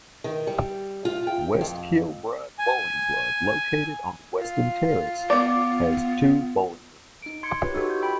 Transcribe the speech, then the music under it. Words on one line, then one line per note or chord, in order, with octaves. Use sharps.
West Kilbride Bowling Club, located on Weston Terrace, has two bowling greens.
D#3
G3
F4
G5
F2
G#5
F4
B3 D5
D#4 D7
C6 G#6 C#7
F4 G4 B4 C#5
D#4 F#4 G4 A4
G6
G5 B5